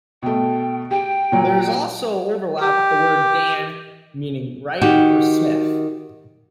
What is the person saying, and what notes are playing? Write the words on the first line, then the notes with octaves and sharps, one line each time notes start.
There is also overlap with the word "dan" meaning "wright or smith".
B2 A3 G5
G4 G5
A#2 F#3
G4
D#3 F#4 G4